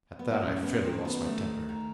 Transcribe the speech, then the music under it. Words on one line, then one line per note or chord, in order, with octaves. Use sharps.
At that I fairly lost my temper.
B3
A#3
F#2 A3
B3
D#3 C4
B3
D#3 A3
D#3